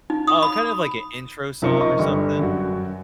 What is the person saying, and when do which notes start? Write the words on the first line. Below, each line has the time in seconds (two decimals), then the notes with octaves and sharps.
Oh, kind of like an intro song or something?
0.10 D#4
0.27 D#6
0.43 B5
1.62 F#2 C3 F3 D#4 A#4 C#7
1.81 D#5 C#6
1.99 G1 G3 C#6
2.39 F#2 F#4